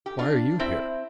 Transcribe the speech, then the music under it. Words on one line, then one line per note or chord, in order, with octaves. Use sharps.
"Why are you here?"
G4
D4 F4
C4 E4